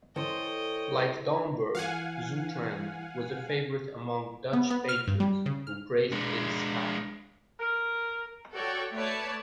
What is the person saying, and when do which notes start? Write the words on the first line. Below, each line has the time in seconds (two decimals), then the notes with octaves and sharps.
Like Domburg, Zoutelande was a favorite among Dutch painters, who praised its sky.
0.16 E3 A4 C5 C#5 D#5 G5
1.75 E3 F5 F#5 G#5
4.53 B3
4.70 B3
4.89 F6
5.07 G2
5.20 G3
5.46 C#3
5.67 F6
6.12 G#3 D4
7.59 A#4
8.54 F#4 A4 C#5 D5 G5
8.93 A3 B4 C#5 D5 A5